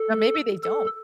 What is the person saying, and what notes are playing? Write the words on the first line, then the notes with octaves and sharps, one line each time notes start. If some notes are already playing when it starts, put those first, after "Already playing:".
Or maybe they don't.
Already playing: A4
A4